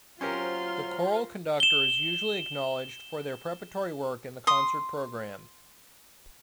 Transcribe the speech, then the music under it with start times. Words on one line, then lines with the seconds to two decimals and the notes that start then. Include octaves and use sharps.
The choral conductor is usually acknowledged for their preparatory work in the concert program.
0.21 F#3 C#4 F4 G4 A#4 C5 C6 F6
1.60 E7 G7
4.47 C6 D#6